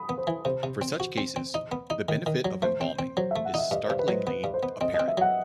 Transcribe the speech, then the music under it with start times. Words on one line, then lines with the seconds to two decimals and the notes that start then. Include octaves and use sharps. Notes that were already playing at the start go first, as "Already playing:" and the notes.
For such cases, the benefit of embalming is startlingly apparent.
Already playing: B5 D#6
0.09 B3
0.18 C5
0.27 E3
0.45 C3 C5
0.63 C3
0.82 C4
1.00 F#4
1.18 C4
1.36 C4
1.54 D#4
1.72 B3
1.90 D#4
2.09 D#3
2.26 D#3
2.45 F#3
2.62 A3 C5
2.81 C4
2.99 C4
3.17 F#3 C5
3.31 A3 E5
3.45 F#5
3.54 D#4 E5
3.71 G2 D#5
3.86 G2 C5
3.99 B4
4.08 F#3 C5
4.27 B3 B4
4.44 G2
4.54 C5
4.63 B3
4.81 C4 D#5
4.94 D#5
5.00 C4
5.08 E5
5.18 F#3 F#5